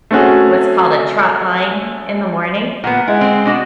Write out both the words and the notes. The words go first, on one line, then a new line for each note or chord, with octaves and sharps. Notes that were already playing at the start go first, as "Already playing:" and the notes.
what's called a trot line in the morning
A3 C4 C#4 F#4 G#4
A#2 B3 F#5
G#3 E4
C4 C5
B2 D4 F#4 D#5